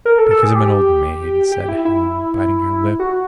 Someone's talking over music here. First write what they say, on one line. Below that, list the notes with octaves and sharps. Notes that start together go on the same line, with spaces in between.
"Because I'm an old maid," said Helen, biting her lip.
A#4
A4
A4
G#4
G4
G4
E4
E4
F#4